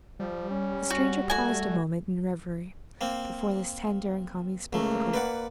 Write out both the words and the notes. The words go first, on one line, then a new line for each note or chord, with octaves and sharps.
The stranger paused a moment in revery before this tender and calming spectacle.
F3 G3
C#4
F#4
A3 F#4 G#5
A#3 C4
C#2 A3 A#3
B4 D5 F#5